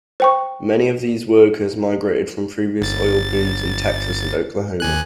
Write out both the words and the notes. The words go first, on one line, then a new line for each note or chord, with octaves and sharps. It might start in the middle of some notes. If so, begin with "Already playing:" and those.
Many of these workers migrated from previous oil booms in Texas and Oklahoma.
C5 G5 C#6
G1 A6
D#2 G#5 F#6